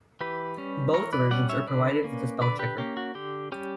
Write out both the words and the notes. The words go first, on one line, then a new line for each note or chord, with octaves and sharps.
Both versions are provided with a spell checker.
E3 G4 B4
G3 C#4
E3 A#4 C#5
B4 D5
G3 C#4 D5 F#5
C#5 E5
D3 B4 D5
A#3 C#4
D3 B4 D5
G4 B4
A#3 C#4 G4
F#4
D3 G4
G3 C#4 G4